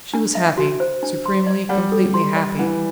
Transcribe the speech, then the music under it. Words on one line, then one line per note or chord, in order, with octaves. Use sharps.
She was happy--supremely, completely happy.
D4
E5
F#4
C5
D4
C6
D5
G3 F#5
A4
C6
D5
E3 F#5